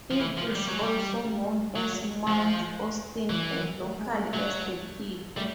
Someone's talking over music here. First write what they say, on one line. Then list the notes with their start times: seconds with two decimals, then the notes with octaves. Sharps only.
It is also known as Mount Austin, and locally as The Peak.
0.11 F3
0.20 E3 A3
0.37 F3
0.55 G3
0.68 F#3 G#3
0.82 G3
1.24 G3
1.76 F#3
2.27 F3 G#3
3.30 E3 A3
3.48 A#3
3.82 A3
3.99 G#3
4.16 G#3
4.33 F#3 A3
5.37 G3 A3